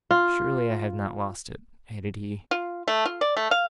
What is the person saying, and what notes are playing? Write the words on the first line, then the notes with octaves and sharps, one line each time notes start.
'Surely, I have not lost it,' added he.
F4
F4
A3
F4
D5
A3
F5